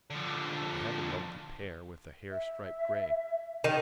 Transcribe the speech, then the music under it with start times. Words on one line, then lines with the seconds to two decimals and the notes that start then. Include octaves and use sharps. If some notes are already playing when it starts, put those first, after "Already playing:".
I have a lovely pair with a hair stripe, grey.
0.10 D3 F3
2.31 E5
3.64 D#3